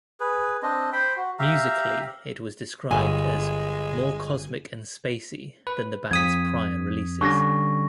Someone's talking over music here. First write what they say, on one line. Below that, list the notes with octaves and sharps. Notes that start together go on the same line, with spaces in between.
Musically it was described as "more cosmic and spacey" than the band's prior releases.
G#4 B4
C4 D4 D#5
C5 G5 B5 C6
F#4
G4 E5 F5 A#5
G1 G#3 G#5
B4
F2 D#6 G#6 B6
D3 G3 C#4 C#6 A#6